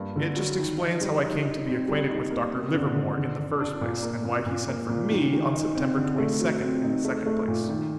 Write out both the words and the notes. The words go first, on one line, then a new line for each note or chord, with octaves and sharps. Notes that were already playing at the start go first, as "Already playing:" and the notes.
It just explains how I came to be acquainted with Dr. Livermore, in the first place, and why he sent for me on September twenty-second, in the second place.
Already playing: G2 A#3
D3
F#3
D#3
D#4
G3
D#4
D#4
C4
G3
D#4
A#3
C4
D3
D3
D3
D3
D4
A#2
A#3
A#2
A#2
A#3
A#2
D#3
D#3
D#4
C4
D3
A3
F#3
C4
D#4
A3
A3
A#2
D#3